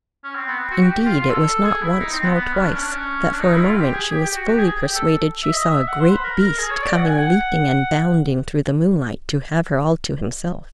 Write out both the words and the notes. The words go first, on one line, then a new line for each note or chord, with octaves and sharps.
Indeed, it was not once nor twice that for a moment she was fully persuaded she saw a great beast coming leaping and bounding through the moonlight to have her all to himself.
C#4
C4
B3
C4
F#4
G4
G4
F4
F4
A4
G#4
E4
D#4
C4
B3
B3
C#4
D4
C#4
D4
C#4
D4
D#4
E4
F4
G4
G#4
G4
G4
F#4
G4
G#4
G4
A4
E5
D#5
E5
F#5
C5
B4
A#4
A#4
G#4
C#5
D5
F#5
G#5
F#5